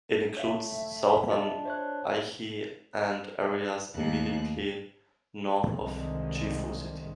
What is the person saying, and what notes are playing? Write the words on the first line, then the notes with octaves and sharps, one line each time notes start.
It includes southern Aichi and areas immediately north of Gifu City.
A3 C#5 E5 F5
D4 F4 G#4 D#5
C5 C#5 F#6
D#2 A3 F#6
C2 D3 D#3 F3 G#3